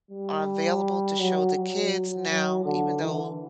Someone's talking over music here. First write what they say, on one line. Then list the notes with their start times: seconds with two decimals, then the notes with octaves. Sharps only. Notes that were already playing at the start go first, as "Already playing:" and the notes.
are available to show the kids now, even though,
0.11 G3
1.20 F#3
1.56 F#3
1.92 F#3
2.30 F#3
2.65 D3
3.03 E3